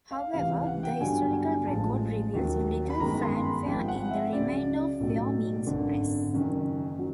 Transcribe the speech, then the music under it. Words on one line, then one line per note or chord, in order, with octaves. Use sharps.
However, the historical record reveals little fanfare in the remainder of Wyoming's press.
F5
C#2 C3 E3 F5
F5
F#5
G5
G1 G2 D3 F#3 G#5
G#5
A1 A2 F3 G#3 A5
D#2 D#3 F#3
B5
G1 F#2 D#3 G#3 A#5
C6
B5
G#1 G#2 F3 G#3 G5
F#5
E5
C#2 C#3 F#3 D5
B1 A2 F#3
G#1 F#2 D3
F#1 F#2 D#3
F#3